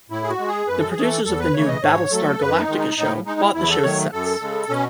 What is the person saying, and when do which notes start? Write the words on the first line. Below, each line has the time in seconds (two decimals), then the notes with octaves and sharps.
The producers of the new "Battlestar Galactica" show bought the show's sets.
0.10 A2 E4
0.23 G#4
0.29 F#4
0.39 G#3
0.48 G#4
0.68 F#2 B4
0.79 A4
0.91 G#4
0.97 E3 A3 A4
1.25 E2 A4
1.39 B4
1.54 C#3 E3 A3 C#5
1.68 D#5
1.82 G#2 C#5
2.11 F#3 A3 A4
2.40 F#2 B4
2.59 D#4
2.68 D#3 G#3
2.78 D#4
2.97 A2 D#4
3.26 G#3 D#4
3.40 E4
3.54 E2 E4
3.69 A4
3.83 D#3 F#3 A3 C#5
4.12 F#2 A4
4.41 C#3 G#3
4.69 B2 C#4